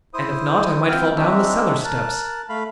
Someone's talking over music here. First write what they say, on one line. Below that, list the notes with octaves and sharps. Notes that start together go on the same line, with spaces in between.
And, if not, I might fall down the cellar steps.
E4 C5 D#6
B3 C4 F4 F5 G5 F6
G#3 C4 D4 D#4 F#4 E5
A#4 A5 F#6
A3 F5 B5